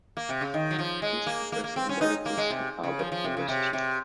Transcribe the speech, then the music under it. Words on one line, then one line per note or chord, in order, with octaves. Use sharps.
He is professor emeritus at Harvard University.
A#3
C3
C#3
D#3
F#3
F3
G#3
A#3
A#3
A#3
C4
C#4
D#4
A#3
G#3
C3
C#3
F3
F3
C3
C#3
C3
C3